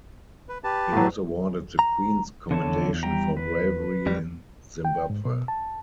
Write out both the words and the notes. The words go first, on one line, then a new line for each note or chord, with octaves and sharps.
He was awarded the Queen's Commendation for Bravery in Zimbabwe.
B4
G4 B4 A5
A2 F#3
A#5
E2 D3 C#5 A5
G3 G5 A#5
B4
F2 G3
G5
G#2
B2
A5